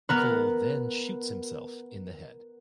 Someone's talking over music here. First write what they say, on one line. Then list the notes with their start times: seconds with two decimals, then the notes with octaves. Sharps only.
Cole then shoots himself in the head.
0.09 B3 A#4 B4